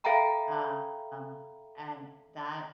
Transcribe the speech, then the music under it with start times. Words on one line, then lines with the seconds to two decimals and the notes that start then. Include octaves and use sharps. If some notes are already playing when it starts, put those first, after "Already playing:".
Um, and that
0.04 A4 E5 F5 G5 A#5 B5